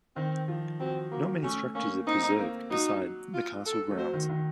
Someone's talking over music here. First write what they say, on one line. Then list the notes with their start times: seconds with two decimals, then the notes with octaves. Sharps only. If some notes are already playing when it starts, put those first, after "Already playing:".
Not many structures are preserved beside the castle grounds.
0.16 D#3 C4
0.48 F3
0.80 F#3 C4
1.11 F#3 A#3
1.43 A3 C#4
1.75 A#3 C#4
2.07 C4 D#4
2.39 A#3
2.70 F#3 D#4
3.34 F4
3.66 A4
3.91 A3
3.97 F#3 C5
4.14 D#3
4.30 D#3